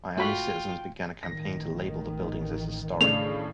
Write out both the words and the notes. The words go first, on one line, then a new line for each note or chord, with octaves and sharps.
Miami citizens began a campaign to label the buildings as "historic".
A3 F4 F#4 G5 B5
A1 D#3 A#6
A2 C#3 D4 F7